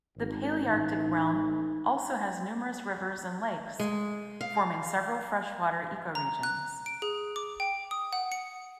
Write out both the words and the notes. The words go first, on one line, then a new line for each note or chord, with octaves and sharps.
The Palaearctic realm also has numerous rivers and lakes, forming several freshwater ecoregions.
G#1
A1 D#4
G#3
F5
A#5
F#6
D7
G#4
D6
G5
D#6
F#5
C#7